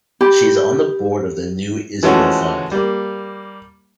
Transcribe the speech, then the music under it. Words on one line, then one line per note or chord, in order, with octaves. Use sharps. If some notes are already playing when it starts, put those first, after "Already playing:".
She is on the board of the New Israel Fund.
G4 B5
E3 F3 G#3 A3 C#4 F#4
G3 A#3